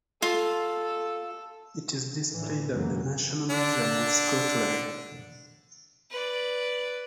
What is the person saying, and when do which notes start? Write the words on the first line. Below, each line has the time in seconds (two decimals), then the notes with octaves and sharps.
It is displayed at the National Museum of Scotland.
0.22 F4 A4
2.30 A2 D3 E3
2.70 F#2 C#3 E3 F#3 G#3 A#3
3.50 D3 D4
6.11 B4 D5